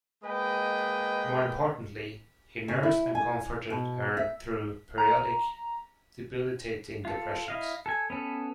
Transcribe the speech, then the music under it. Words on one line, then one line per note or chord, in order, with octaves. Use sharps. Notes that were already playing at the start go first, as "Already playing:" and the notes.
More importantly, he nursed and comforted her through periodic debilitating depressions.
G#3 A#3 B4 D#5 G5
C#3
E4
G#5
B2
E5
A#5
F4 A4
E4 D#5 F5
A4 G#5
B3 C#4 A4